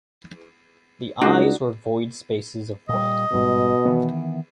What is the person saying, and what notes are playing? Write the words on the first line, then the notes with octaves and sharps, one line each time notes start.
The eyes were void spaces of white.
C#2 D4 D#4 F#4
A#2 G3 D#5
A1 G#2 B2 G3
D#3 E3 B3